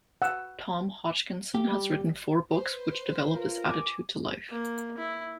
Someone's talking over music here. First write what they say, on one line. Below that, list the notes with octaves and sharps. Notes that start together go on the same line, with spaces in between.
Tom Hodgkinson has written four books which develop this attitude to life.
F#5 E6
G4
G3
B4 C5
F4 A#4
G#5 D6
A#3
E4